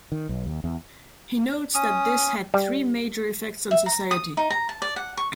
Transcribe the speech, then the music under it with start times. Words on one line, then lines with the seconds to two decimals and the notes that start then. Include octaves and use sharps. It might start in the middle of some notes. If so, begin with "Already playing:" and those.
He notes that this had three major effects on society.
0.12 D#3
0.29 B1
0.46 D#2
0.64 E2
1.75 C#4 D#6
2.54 G3
3.71 E5
3.86 A#5
4.11 D#6
4.37 D#4
4.50 A#5
4.69 A5
4.82 D5
4.96 F#5
5.17 C#6